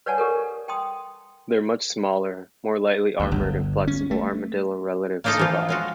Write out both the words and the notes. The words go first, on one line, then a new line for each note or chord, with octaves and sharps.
Their much smaller, more lightly armored and flexible armadillo relatives survived.
B4 C#5 D5 F#5 G#5 A5
G4 A4 A#4
G5 A5 C6 D#6
D2
G1
C#4
A3
A#3 D4 D#4 F4 A4
E3 F3 F4
G#3 F4 F#4